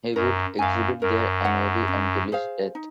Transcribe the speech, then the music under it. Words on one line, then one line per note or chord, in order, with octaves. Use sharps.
He would exhibit there annually until his death.
F#2 A#4
F#2 F5 G#5
F#2 A#4
C#5 F#5
C#4
G#4 C5 F5
D#4